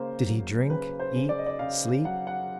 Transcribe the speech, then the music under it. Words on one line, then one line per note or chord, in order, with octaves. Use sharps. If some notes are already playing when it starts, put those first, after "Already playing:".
Did he drink, eat, sleep?
Already playing: C#3 A#3 C5
F#3
C#3 B4
C5
C#3
D5
D#5
D5
C#3 F5
F#3 F#5
F#5